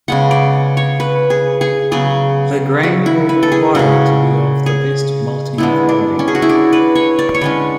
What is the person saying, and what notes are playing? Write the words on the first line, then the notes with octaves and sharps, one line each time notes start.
The grain will require to be of the best Malting Quality.
C#3 G#3 B3 F#5
D5
C#5
B4
G#4
G#4
C#3 F#3 B3 G#4
F#4
E4
B4
A4
G#4
C#3 G#3 C#4 F#4
G#4
D3 G#3 B3 E4
D4
C#4
G#4
F#4
E4
D4
B4
C#5
D5
C#5
D3 G#3 C#4 B4